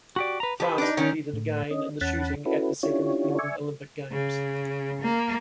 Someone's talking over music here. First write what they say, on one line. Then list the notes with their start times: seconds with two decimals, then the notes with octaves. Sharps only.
France competed again in shooting at the second modern Olympic Games.
0.16 F#4 G4 D5
0.40 B4 A#5
0.60 F3 G4 B4
0.78 D4 D#4
0.97 D#3 C#4 C#5
1.33 A2
1.71 C#4 D#5
2.01 E2 C#4 F#5 A5 B5
2.46 C#4 E4 F#4 A4 B4
2.83 C#4 D4 E4 F4 G4 C#5
3.39 D5 E5 G#5 C#6
4.12 C#3
5.01 A#3